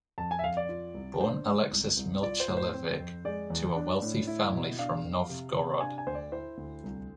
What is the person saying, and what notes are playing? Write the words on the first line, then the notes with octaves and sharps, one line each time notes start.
Born Alexis Milchalevich to a wealthy family from Novgorod.
F2 A5
G#5
E5
F2 F5
D5
F4
C2
D4 C5
G#2
C2
C2
F4 D5
C5
A2
C5
C4
F2
G#3 D5
E2
D4
A2
E4
B2
D4 F5
F2
C3
C3
D4 G#5
G#5
D2 C5
D5
E4 C5
D2
C2